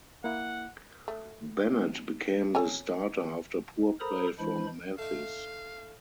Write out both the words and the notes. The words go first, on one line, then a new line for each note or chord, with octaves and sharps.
Bennett became the starter after poor play from Mathis.
A#3 E4 F#5
A3
A4 C#5 G#5
A4 A#4 C5 A#5 B5 D#6
E3 G#3 D4 E4 C5 B5
A3 D#4 F5